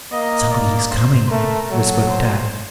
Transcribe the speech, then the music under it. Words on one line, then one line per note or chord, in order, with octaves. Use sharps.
"Somebody is coming," whispered Tad.
A#3 D#5
D5
C5
A3 A#4
F#3 A4
C5